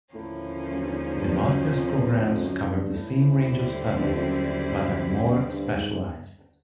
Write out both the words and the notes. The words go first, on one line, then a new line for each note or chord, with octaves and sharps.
The Master's programs cover the same range of studies, but are more specialized.
D#2 A2 D3 F3 A#3 C#4
F#2
G2
G#2
G#2
G2
F#2
F2
E2
E2
F2
F#2
G#2
G2
A2
D#2 D3 G3 C4 E4
G2
F2
F#2
F#2
F#2
G2
G#2